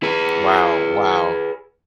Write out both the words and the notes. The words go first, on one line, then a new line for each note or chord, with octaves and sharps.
Wow, wow.
G#4 B4